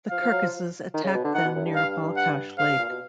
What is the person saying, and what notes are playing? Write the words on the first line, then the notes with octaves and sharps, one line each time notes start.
The Kyrgyzs attacked them near Balkhash Lake.
F3 F5
F3
F#3
F3
D#3
C#3
B2
D3
D#3 F#5
B2
F#2
G2
F5
F#5
G#2 F5
G2
A#2
B2